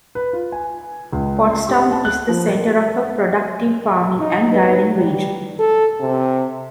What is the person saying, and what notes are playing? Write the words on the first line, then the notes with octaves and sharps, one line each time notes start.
Pottstown is the center of a productive farming and dairying region.
B4
F4
G#5
C#2
C6
G4
A5
F#6
F3
A#4
D#4
B4
G3
A4
C3